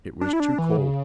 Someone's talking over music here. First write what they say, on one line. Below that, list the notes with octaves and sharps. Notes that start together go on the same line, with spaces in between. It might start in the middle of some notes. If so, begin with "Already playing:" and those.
It was too cold.
D4
E4
D4
E3
C#3